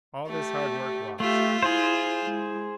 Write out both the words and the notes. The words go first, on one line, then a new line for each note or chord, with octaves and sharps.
All this hard work lost!
A3 G4
A3 F4 G4 E5
E4 G#4 C5
G#3 E4